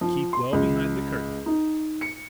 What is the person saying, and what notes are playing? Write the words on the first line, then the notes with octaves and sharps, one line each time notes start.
Keep well behind the curtains.
F3
C6
C#2
D#4
C#7